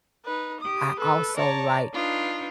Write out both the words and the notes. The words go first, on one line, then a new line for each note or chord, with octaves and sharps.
I also like,
D#4 B4
G4 D#6
A4 B4
C#5 D5 A5 A#5
D4 D#4 F4 B4